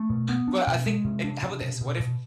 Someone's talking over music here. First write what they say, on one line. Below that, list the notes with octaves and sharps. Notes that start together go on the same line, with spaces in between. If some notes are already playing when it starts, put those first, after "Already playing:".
But I think and how about this? What if
Already playing: A3
B2
B3
D4
B2
G#3
C3
D4
C3
B2
B2
B2